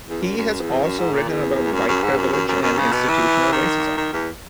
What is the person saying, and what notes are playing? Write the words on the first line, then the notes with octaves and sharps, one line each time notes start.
He also has written about white privilege and institutional racism.
E2
F#2
F#2
E2
F#2
G#2
A#2
E2
F#2
F#2
G#2
F#2
F#2
F#2
F#2
C#3
B2
E3
D#3
D#3
E2